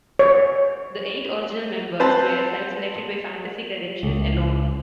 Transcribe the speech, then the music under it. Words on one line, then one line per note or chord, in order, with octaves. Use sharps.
The eight original members were self-selected by fantasy credentials alone.
C#5
C4 B4 C5 A5
C#2